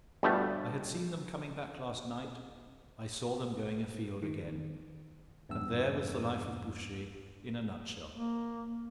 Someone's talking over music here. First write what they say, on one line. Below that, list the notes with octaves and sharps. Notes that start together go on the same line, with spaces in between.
I had seen them coming back last night, I saw them going afield again; and there was the life of Bouchet in a nutshell.
G1 B2 G3 A3
D#3
E2 G2 E6
A#3